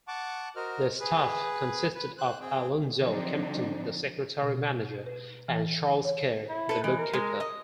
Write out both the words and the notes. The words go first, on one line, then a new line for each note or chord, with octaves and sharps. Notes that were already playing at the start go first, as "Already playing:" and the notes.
The staff consisted of Alonzo Kempton, the secretary-manager, and Charles Kerr, the bookkeeper.
F#5 A5 C#6 D6
F#4 A#4 C5 D#5 F6
G#4 B4
B4
C5 F#6
C4 G#4 G5
D3 F3 F#3 C4 D4 D#4
B2
B4
E3
C#5
E4
A4 B4
E3 G#3
A#4
G#3
D#5